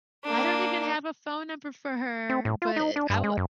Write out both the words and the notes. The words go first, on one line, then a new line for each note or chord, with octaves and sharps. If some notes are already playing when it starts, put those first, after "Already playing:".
I don't even have a phone number for her, but I w
A#3 D4
C4
A2
F4
D#4
D4
G2
G#3
F#2